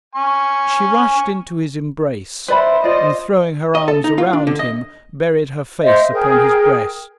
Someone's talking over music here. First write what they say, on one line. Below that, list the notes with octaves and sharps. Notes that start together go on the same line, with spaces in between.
She rushed into his embrace, and throwing her arms around him, buried her face upon his breast.
G#5 C#6
B4 C5 D5 E5 B5
F4 C5 D5 D#5
D#5
A4
D#4
F4
D4
D3
D#5
C5 D#5 E5
G#4 A#4 G5